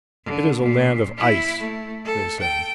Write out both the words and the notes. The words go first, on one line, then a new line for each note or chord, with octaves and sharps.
"It is a land of ice," they said.
D3
A#2
E4
A3
A4
G5